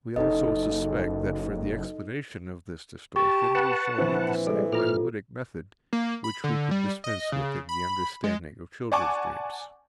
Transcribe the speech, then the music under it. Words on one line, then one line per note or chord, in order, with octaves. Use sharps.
We also suspect that for the explanation of this distortion we shall need the psychoanalytic method which we could dispense with in the understanding of children's dreams.
F#1 D#4 A4 D#5
G4 A5 C#6
B4 F#5 A5
A#1 E3 C4
G3 G#3 A4
A#2 F4 A4 F6
A#3
B5
D3
G3
D#5
C#3
B5
G#3
D5 F#5 G#5 A5 C#6 D6